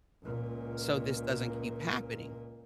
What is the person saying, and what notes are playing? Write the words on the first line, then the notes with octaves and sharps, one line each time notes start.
so this doesn't keep happening,
C#2 A#2